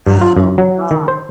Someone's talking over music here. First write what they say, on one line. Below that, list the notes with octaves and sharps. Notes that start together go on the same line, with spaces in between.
Oh god.
G2
F4
F#2
F#3
D#3
C5